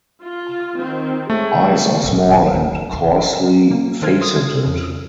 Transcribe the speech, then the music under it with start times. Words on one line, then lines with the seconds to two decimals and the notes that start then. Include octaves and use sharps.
Eyes are small and coarsely faceted.
0.22 F4
0.75 D#3 C4
1.30 G#3 A3 G#4 C#5
2.04 F#2 A#2
2.30 D#2 F3
2.54 D#2
2.93 F1
3.71 A#3
4.02 D#3 A4 C5 A5 F6 G#6
4.21 C6 D#6 F6
4.36 G#6
4.65 F2 C#3